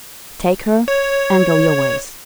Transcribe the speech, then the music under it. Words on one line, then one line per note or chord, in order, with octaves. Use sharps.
"Take her and go your ways."
C#5